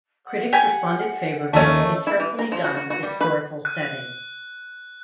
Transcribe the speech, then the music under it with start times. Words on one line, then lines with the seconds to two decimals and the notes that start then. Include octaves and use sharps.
Critics responded favourably to the carefully done historical setting.
0.26 F#5
0.53 G4 G#5
1.53 D#2 D#3 A3 C#4 D#5 C#6
2.07 E4
2.20 E3
2.39 A#5
2.52 F3
2.64 F#4
2.76 F#4
2.90 F#4
3.03 G3
3.21 B4
3.65 F#6